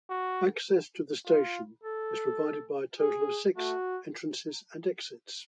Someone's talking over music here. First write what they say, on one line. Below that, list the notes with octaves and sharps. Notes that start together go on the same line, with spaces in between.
Access to the station is provided by a total of six entrances and exits.
F#4
F4
A4
G#4
A3 F#4